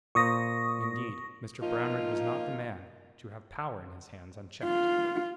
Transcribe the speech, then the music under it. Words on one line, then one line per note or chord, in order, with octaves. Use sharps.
Indeed, Mr Brownrigg was not the man to have power in his hands unchecked.
A#2 A#3 C5 C#6 D#6 A#6
F3 A#3 D#4 F4
F4